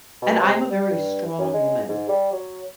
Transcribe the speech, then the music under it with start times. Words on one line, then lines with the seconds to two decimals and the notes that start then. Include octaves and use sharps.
And I'm a very strong woman
0.22 B2
0.43 C3
0.70 G3
0.90 G2
1.39 F#2
1.54 G#3
1.89 G#2
2.09 G3
2.32 F#3